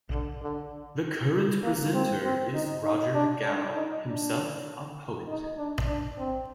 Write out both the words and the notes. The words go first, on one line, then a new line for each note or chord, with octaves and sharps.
The current presenter is Roger McGough, himself a poet.
D3
D3
A#3
C4
C4
D#4
D#4
D4
D4
D#4
D4
D#4
D4
D4
C4